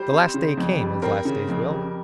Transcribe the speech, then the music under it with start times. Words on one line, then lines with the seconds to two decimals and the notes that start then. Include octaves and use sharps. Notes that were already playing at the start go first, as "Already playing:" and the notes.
The last day came, as last days will.
Already playing: G3 C5
0.12 C4
0.34 C#3
0.57 F2
0.80 G3
1.02 C4 A#4
1.25 C#3
1.48 F2
1.71 G3